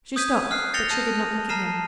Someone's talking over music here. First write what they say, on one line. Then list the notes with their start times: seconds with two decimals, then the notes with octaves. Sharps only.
She stopped, but she did not look at him.
0.16 D#6 G6 G#6 B6 D#7
0.51 F6 F#6 C7
0.74 G6 A6 A#6 C#7 F7 G7
0.90 A5 G6 D#7
1.49 A5 A#5 F6 C7 D#7 E7